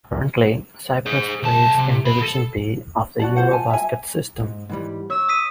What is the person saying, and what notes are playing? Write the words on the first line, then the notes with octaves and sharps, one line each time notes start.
Currently, Cyprus plays in Division B of the EuroBasket system.
G#4 C5
C2 A5
C3
B2 B5
A4
F#4 D5 A5
F4 C5 F#5
G#5 A5
E5 G#5
G#2
G#2 E3 G3
C#5 E6
D#6 B6 D#7